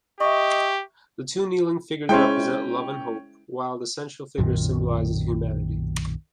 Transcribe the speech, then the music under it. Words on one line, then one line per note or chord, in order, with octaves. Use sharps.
The two kneeling figures represent Love and Hope, while the central figure symbolises Humanity.
G4 D#5 E5 C#6
G#3 C#4 E4 C5 G5
B1 F#2 A#2 D#3